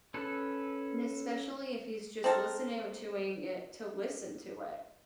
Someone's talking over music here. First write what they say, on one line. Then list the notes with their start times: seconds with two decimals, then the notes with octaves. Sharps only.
and especially if he's just listening doing it to listen to it.
0.14 C#4 A4 B4
2.24 C4 A4 A#4